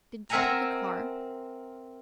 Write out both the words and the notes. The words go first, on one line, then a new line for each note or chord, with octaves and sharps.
"Didn't you take a car?"
C4 A#4 E5 F#5 G#5 A#5